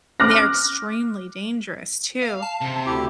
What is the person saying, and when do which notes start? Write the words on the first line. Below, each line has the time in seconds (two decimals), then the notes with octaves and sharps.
and they are extremely dangerous too,
0.20 D6 F6 F#6 A#6
2.22 F5
2.42 A5
2.61 C3
2.86 D2 E4 G4